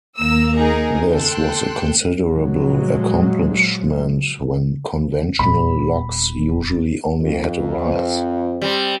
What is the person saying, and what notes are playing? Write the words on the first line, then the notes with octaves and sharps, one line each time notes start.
This was a considerable accomplishment when conventional locks usually only had a rise.
D#2 A#3 A#5 E6
D#4 G#4 A#4
A4 G5 C6 F#6
A#2 F3 F#3 G#3
D#1 B3 B5
F2
G3 C4